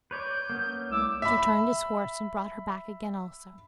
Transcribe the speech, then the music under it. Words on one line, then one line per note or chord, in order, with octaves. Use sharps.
So he turned his horse and brought her back again also.
B4 C#5 D5 G6
A#3 B3 C#4
C2 A3 D6 E6
E5 B5